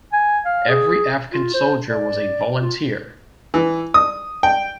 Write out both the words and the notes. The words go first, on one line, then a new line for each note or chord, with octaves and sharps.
Every African Soldier was a volunteer.
G#5
F5
G#4
F4
C5
D5
F4
E3
D#6
G5